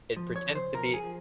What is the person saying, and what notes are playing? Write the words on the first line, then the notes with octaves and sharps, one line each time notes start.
it pretends to be
F3
C#5
C#3
C5
F3 A#4
G#4
F3